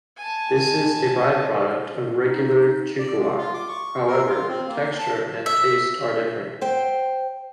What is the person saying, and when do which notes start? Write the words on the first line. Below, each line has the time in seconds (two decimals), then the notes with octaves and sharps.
This is a by-product of regular chikuwa, however, texture and taste are different.
0.17 G#5 A5
2.22 D#4
2.99 D5
3.17 G#3
3.37 F4
3.54 D6
3.68 C#6
4.07 A#4
4.29 F4
4.49 C4
4.67 A#3
4.99 A5
5.46 E5
6.61 C5 G5